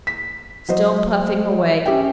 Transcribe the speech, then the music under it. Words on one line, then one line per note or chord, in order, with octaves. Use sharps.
Still puffing away.
B6
F#3 C5 D#5
C#4 G4 E5 G5